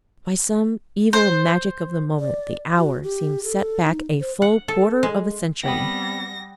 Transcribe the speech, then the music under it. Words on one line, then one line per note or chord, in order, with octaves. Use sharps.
By some evil magic of the moment, the hour seemed set back a full quarter of a century.
C5
D5
F#4
G4
A4
D#4
C5
F#5
A4
G#3
G3 B3 C4 B4 F#5 G5 D#6 A#6